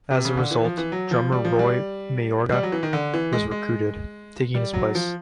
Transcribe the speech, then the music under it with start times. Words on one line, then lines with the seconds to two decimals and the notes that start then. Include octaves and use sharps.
As a result, drummer Roy Mayorga was recruited, taking his place.
0.11 C3
0.25 C#3
0.37 D3
0.51 E3
0.64 F3
0.78 E3
0.92 F#3
1.11 F3
1.32 G3
1.45 F3
1.59 G3
2.52 G3
2.63 F#3
2.72 E3
2.83 D#3
2.93 D3
3.14 E3
3.33 G#3
3.51 G#3
4.55 G3
4.74 F#3
4.95 F3